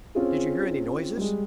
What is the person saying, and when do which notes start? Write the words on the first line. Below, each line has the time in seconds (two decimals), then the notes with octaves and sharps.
"Did you hear any noises?"
0.15 C4 C#4 F4 G#4
1.17 G3 G#3